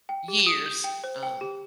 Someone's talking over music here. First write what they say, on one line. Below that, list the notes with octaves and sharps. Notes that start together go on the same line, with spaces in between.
years, um.
G5
G4
D#6
G6
G5
C5
G5
G4